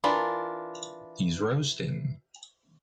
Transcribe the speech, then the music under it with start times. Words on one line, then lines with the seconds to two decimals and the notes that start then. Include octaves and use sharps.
He’s roasting.
0.04 E3 D4 F4 A#4 B5